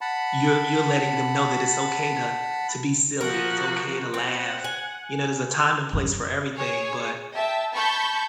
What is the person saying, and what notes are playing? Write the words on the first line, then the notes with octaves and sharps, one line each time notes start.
you're you're letting them know that it's okay to to be silly, it's okay to laugh. You know, there's a time and place for everything, but
F#5 A5 B5
F3 F#4 A#4
C4 F#5
G#5
F#2
G#4 C#5
E5 G5 A5
A5 B5 C#6 G6